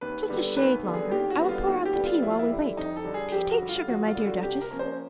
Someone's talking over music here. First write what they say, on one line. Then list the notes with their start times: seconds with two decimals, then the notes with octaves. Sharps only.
"Just a shade longer; I will pour out the tea, while we wait. Do you take sugar, my dear Duchess?"
0.01 D#2 B4
0.29 D3 G3 B3
0.57 D#2 B4
0.84 D3 G3 B3
0.94 G#4
1.11 D#2 G4
1.30 F#4
1.39 D3 G3 B3
1.49 F4
1.67 D#2 F#4
1.85 G4
1.95 D3 G3 B3
2.04 F4
2.22 F2 E4
2.31 F4
2.39 E4
2.50 D3 G3
2.77 F2 D#4
2.96 A4
3.05 D3 G3
3.14 G#4
3.32 F2 G4
3.51 F#4
3.61 D3 G3
3.69 F4
3.87 F2 F#4
4.06 F4
4.15 D3 G3
4.25 F#4
4.43 C3 G4
4.62 A#4
4.71 F3 A#3 C#4
4.79 C5